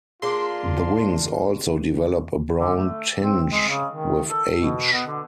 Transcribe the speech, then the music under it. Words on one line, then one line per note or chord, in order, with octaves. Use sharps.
The wings also develop a brown tinge with age.
A#3 D4 F4 G#4 C6 D6
D3
A3
C4
G#3
C#3
D#3
A4
B2
B3
D3